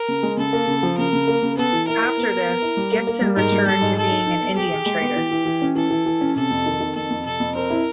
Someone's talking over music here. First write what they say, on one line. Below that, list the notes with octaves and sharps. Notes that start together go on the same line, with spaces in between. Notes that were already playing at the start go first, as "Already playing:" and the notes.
After this Gibson returned to being an Indian trader.
Already playing: A#4
C#3
G#3
C#3 A4
A#3
C#3
F3
C#3 A#4
C#3
A#3
C#3
B3 A4
E3
E4 A#4
E4
B3
B3
B3
E4
G3
A#3
A#3
G3
G#2 A#4
G3
G3 A4
G#2
G#4 A4
D#4
D#4
B3
G4 G#4
G#4
G#3
B3
E3
E3
E3
C#4
E3 A4
E3
E3
C#4
C3 A4
F2
D#3
D#3
F2 A4
F2
C3 A4
F2
C4 A#4
E4